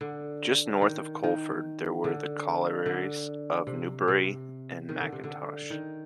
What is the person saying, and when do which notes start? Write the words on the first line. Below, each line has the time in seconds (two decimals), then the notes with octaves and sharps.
Just north of Coleford there were the collieries of Newbury and Mackintosh.
0.01 D3
0.82 D#3
1.23 D#3
2.04 D3
2.86 D3
3.67 C3
4.08 C3
4.89 D#3
5.01 D3
5.12 C3
5.24 D3
5.70 D#3